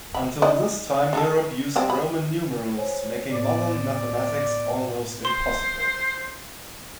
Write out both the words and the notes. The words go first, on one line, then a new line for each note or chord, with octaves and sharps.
Until this time Europe used Roman Numerals, making modern mathematics almost impossible.
B5
D#4 D5 D#5
D4 D#4 A4
G3 C4 D4
B5
C5 C#5 G#5
A2 B3 D5
C5 C6